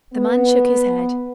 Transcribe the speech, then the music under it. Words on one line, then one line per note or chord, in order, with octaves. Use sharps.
The man shook his head.
B3